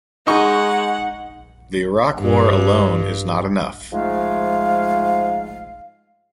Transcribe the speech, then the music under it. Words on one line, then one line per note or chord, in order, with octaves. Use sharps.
The Iraq war alone is not enough.
G#3 D#4 F#5 C#6
G2
G#2 F3 G#3 A3 F5